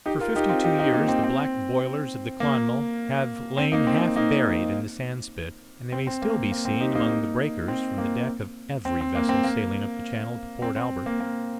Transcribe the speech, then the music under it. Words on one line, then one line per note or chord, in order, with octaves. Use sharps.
For fifty-two years the black boilers of the 'Clonmel' have lain half buried in the sandspit, and they may still be seen among the breakers from the deck of every vessel sailing up the channel to Port Albert.
D#4 G4
F4 A#4
D#4 G4
C4 F4
D#4 G4
D#4 G4
A#3 D#4
C4
C4
A#3
C4
A#3 D#4
C4
C4
A#3 D#4
C4
C4
A#3
A#3
A#3
C4
D#4 G4
A#3 D#4
C4
A#3
C4
C4
A#3
C4
A#3
C4
C4
A#3
A#3